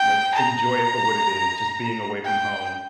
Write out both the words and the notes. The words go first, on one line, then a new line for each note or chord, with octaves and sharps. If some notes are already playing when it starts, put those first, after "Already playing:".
You know, enjoy it for what it is, just being away from home.
Already playing: G5
A#5
G5